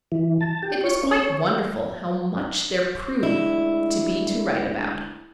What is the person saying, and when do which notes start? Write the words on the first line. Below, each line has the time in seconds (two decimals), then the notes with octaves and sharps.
It was quite wonderful how much there proved to be to write about.
0.12 E3
0.41 A5
0.63 G4
0.84 C#5
1.03 C#4
1.25 C#5
3.23 D2 G#3 D4 E4